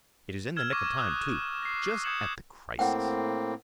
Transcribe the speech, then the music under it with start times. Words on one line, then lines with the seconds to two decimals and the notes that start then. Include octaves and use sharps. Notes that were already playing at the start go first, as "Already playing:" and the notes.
It is in the nick of time, too, just at the crisis.
0.56 E6 F6 G#6 E7
0.73 C#6 D6 G#6 A#6
0.98 D#6 F#6
1.27 E7
1.62 A#6 C7
2.04 D#6 G6 G#6 C#7 E7 F#7
2.79 A2 A#3 C4 F#5 G5